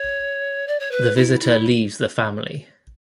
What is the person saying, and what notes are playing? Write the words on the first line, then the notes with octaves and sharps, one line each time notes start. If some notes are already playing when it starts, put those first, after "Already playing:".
The visitor leaves the family.
Already playing: C#5
D5
C#5
B4
E4
E4